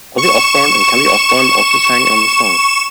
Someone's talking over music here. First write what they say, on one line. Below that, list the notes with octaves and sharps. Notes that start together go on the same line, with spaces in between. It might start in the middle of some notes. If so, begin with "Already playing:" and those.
Ozzy Osbourne and Kelly Osbourne also sang on the song.
C#6 E7